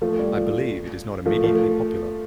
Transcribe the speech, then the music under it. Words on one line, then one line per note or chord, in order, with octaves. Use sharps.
I believe it is not immediately popular.
F3 A3
G3
F3
F3 A3
F3 A3